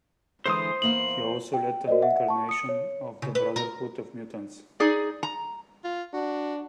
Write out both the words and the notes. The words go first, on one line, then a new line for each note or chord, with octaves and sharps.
He also led an incarnation of the Brotherhood of Mutants.
D3 E3 G#3 C5 C6 D#6
E2 A#3 F5 F#7
G5
F#4 A#4 C5 D5 D#5
E5 F#5
A5 C#6
D#6 C#7
C#5
C#3
B4
A#4
D#4 G#4 D5
A#5
F4
D4 F#4